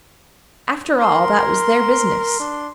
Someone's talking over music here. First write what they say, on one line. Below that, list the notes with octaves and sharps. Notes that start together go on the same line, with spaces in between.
After all, that was their business.
A#4 C6
D4